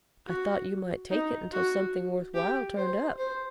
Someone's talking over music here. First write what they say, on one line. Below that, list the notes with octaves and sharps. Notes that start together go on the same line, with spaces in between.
"I thought you might take it until something worth while turned up."
F#4
D#4
F#4
G4
C5
C5